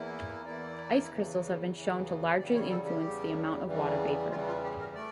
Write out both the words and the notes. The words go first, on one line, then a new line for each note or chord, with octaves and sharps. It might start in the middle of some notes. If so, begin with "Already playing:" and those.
Ice crystals have been shown to largely influence the amount of water vapor.
Already playing: E2 E3 A#3 E4
E2 E3 A#3 E4 D5
E2 C#3 E3
E2 C#3 E3
E2 C#3 G3 D5
C#5
A4
G4
E2 C#3 G3
E2 C#3 E3 G3
E2 C#3 E3 G3 F4
F4
G4
A#4
A3 D5